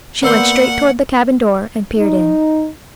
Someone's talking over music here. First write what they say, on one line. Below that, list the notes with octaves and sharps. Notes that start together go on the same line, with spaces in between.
She went straight toward the cabin door and peered in.
A#3 B3 D5 F#5 C6 E6 G6
D#4